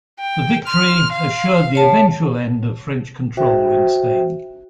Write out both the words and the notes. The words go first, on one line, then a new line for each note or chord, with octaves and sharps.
The victory assured the eventual end of French control in Spain.
G5
C6 F6
F5
C#5 A5
F#4 C5 E5 G5